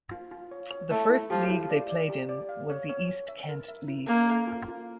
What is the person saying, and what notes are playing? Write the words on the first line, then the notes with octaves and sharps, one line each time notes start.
The first league they played in was the East Kent League.
F4
F4
C#5
C#5
A3 E4
E4
F3 G4
E4
D5
D5
G4
D5
F5
C#5
C#5
C#5
E5
A#4
E5
E4
A#3 C#4
A4
F4
F4